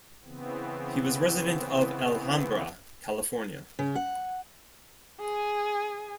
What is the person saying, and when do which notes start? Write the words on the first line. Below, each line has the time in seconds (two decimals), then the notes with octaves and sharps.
He was a resident of Alhambra, California.
0.24 C#3 E3 B3 C4
3.79 C#3
3.95 F#5
5.20 G#4 G#5